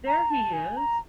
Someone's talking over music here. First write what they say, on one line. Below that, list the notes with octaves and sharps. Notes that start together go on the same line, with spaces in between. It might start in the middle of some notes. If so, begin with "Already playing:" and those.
There he is!
A#5
A5
G#5
A#5